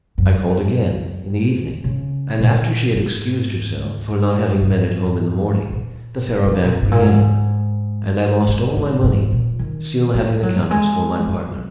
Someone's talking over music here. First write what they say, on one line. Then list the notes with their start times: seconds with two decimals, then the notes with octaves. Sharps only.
I called again in the evening, and, after she had excused herself for not having been at home in the morning, the faro bank began, and I lost all my money, still having the countess for my partner.
0.18 F#2
1.84 C#3
2.39 A#2
2.95 G#2
4.61 G#2
5.72 A#2
6.27 D#3
6.46 C#3
6.64 A#2
6.82 G#2
6.92 A#2
7.02 G#2
8.48 G#2
8.76 G#2
9.04 G#2
9.32 A#2
9.59 D#3
10.14 G#3
10.43 F#3
10.71 G#3
11.26 F#3